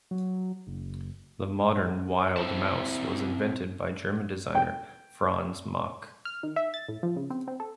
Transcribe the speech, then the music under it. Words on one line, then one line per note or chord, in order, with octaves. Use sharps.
The modern Wild Mouse was invented by German designer Franz Mack.
F#3
F#1
C4 E4 C5 A5
G5
F6
D#3
E5
A6
A2
F3
C#3
C4
C4
A4